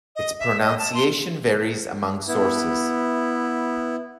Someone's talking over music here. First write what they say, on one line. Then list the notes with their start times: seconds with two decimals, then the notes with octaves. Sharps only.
Its pronunciation varies among sources.
0.16 D#5
0.39 E5
0.60 D#5
0.79 A5
0.94 C6
2.28 B3 E4